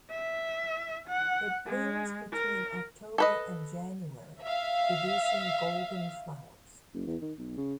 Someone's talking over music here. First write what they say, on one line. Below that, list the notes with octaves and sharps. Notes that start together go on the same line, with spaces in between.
It blooms between October and January producing golden flowers.
E5
F#5
G#3
A#4
A4 B4 D#5
E5 F5
F#1
E2
D#3
B1
C#3